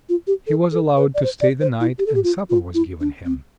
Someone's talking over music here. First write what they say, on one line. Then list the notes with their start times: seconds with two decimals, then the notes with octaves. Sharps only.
He was allowed to stay the night, and supper was given him.
0.09 F4
0.27 G4
0.47 A4
0.72 A4
0.97 B4
1.14 D5
1.23 C5
1.41 D5
1.61 C5
1.80 E4
1.99 G4
2.06 A4
2.15 G4
2.24 F4
2.50 F4
2.74 E4
3.00 D4
3.25 C4